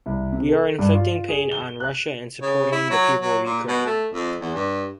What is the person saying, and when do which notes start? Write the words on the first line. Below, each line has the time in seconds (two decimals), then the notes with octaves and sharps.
We are inflicting pain on Russia and supporting the people of Ukraine.
0.06 C2
0.32 C3
0.49 A4
0.79 G2
0.92 F4
1.29 G#4
1.52 G7
1.80 F#6
2.42 C#3
2.72 E4
2.90 F#3
3.21 F#3
3.45 A#2
3.68 B2
3.86 A3
4.13 F2
4.41 E2
4.55 G2